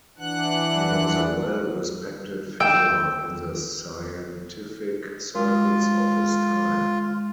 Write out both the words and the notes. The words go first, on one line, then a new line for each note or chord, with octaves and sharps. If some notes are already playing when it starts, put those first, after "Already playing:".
He was a well-respected figure in the scientific circles of his time.
E3 D4 F#5 F#6
G5 E6
G#3 F4